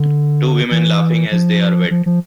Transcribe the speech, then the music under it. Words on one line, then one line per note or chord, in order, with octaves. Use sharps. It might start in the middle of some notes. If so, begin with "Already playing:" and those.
Two women laughing as they are wet.
Already playing: D3
E3
F3
F3
F3